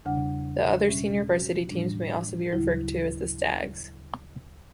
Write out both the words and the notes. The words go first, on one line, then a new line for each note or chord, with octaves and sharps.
The other senior varsity teams may also be referred to as the Stags.
E2 C#3 G3 D4 F#5
B2 G3 C#4 E5
F#4
A2 E3 G3 D4
D2 C#3 F#3 E4